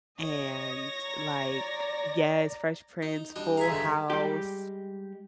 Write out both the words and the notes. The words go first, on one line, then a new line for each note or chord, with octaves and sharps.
and, like Yes, Fresh Prince, Full House,
C#5 D#5 A#6
D5 A#5
D#4
G3 D4 D#5
G#4 E5 F5 A#5 C#6
G2 D3 G#3
G3 G#3 G4